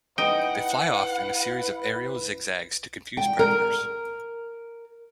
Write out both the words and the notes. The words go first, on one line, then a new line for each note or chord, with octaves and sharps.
They fly off in a series of aerial zig-zags to confuse predators.
D#4 E4 B4 F#5 G5
G5
A#4